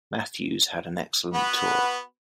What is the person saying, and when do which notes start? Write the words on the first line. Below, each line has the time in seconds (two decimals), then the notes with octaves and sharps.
Matthews had an excellent tour.
1.34 B3 F#4 B4